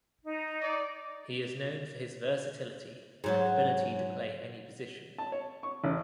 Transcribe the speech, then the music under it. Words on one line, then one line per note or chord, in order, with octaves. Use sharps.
He is known for his versatility and ability to play any position.
D#4
D5
G#2 F#3 F#4
A5
C#5
C#6
A1